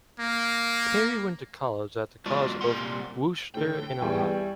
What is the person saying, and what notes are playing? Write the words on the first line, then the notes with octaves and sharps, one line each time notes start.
Cary went to college at the College of Wooster in Ohio.
A#3
E2 G#3 F4 F#4 D5 A5
C2 A#2 G3 F#5 C6
A2 D3 G5
E2 G3 E5 G#5 C#6